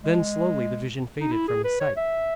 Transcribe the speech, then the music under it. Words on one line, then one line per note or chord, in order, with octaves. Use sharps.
Then slowly the vision faded from his sight.
G#3
D#4
E4
G#4
B4
C#5
E5